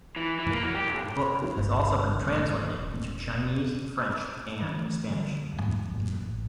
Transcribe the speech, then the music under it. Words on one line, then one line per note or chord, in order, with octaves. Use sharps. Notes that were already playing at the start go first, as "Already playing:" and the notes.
The book has also been translated into Chinese, French and Spanish.
E3
E3
A#3
F#3
G4
B1
G1 C2
D#2 G#2
D#1
D#3
E3 A3
D3 G3
G#2
G#1 F#2 A#2
A1